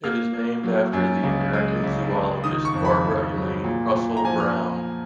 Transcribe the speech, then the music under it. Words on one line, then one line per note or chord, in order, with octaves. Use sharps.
It is named after the American zoologist Barbara Elaine Russell Brown.
A#3 F6
A#3
F#3
F#2
C#2
G#3
C#2
C#2
D#3 D#6
C#6
F2
B5
F2
F#3
A#2
A#2
A#5
F3 G#5
F6